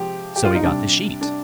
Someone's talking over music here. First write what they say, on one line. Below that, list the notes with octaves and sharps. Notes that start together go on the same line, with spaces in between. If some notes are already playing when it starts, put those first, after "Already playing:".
So he got the sheet.
Already playing: C3 F3 G#3 G4
G4
F4
D#4
C3 G3 D4
D4